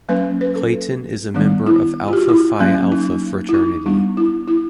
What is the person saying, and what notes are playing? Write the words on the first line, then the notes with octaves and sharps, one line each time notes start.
Clayton is a member of Alpha Phi Alpha fraternity.
F#3 A#3 C#4 B4
B4
A4
D#3 G3 B3 D4
E4
F4 G4
F#4
E4
F#3 A#3 C#4
D#4
E4
D#4
G3 B3 D4
E4
E4